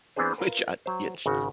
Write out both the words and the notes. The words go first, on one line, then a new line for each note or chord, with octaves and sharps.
which at it's
E3 B3 C4 D4 G#4 C5
F4 A#4 B4
F#3 C5
G#1 C#3 F#4